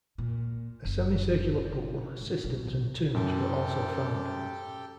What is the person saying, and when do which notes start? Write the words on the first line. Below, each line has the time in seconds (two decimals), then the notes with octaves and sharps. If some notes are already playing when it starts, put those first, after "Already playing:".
A semi-circular pool, cisterns and tombs were also found.
0.18 A#2
0.85 F#1
1.54 C#3
2.19 G#2
2.44 B1
3.14 F#2 G4 A4 G5